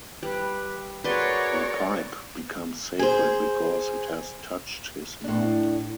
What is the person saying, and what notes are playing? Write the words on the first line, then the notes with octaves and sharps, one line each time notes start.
The pipe becomes sacred because it has touched his mouth.
G3 B4
F#4 G#4 A#4 B4 C#5 D5 F#5 C6
G#4 C5
A2 D4